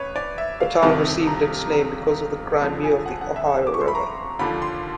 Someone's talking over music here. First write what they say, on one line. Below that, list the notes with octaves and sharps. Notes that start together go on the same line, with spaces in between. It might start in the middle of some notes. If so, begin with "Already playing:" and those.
The town received its name because of the "grand view" of the Ohio River.
Already playing: A1 B4 C#5
D5
E5
F5
G1 F2 C3 D#3 A5
A#5
A#5
G1 F2 D3 F3 A5
G#5
F#5
F#5
E5
D6
C#6
C6
B5
A#5
D#2 D3 F3 B5
C6